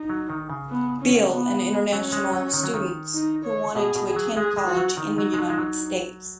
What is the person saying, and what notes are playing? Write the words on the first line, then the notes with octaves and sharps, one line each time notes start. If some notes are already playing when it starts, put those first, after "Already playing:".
Bill, and international students who wanted to attend college in the United States.
Already playing: D#4
F#3
D#3
C#3
B3
C#4
B3
F#3 C#4
G#3
F#3
D#3
F#3
D#3
D#4
C#5
B2 G#4
B2
G#4
F#3
G#3 G#4
G#3
F#4
F#3
D#3 D#4
F#3
G#3
F#3
G#3
F#3